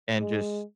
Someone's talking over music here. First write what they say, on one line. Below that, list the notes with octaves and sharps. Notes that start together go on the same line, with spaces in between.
and just
G#3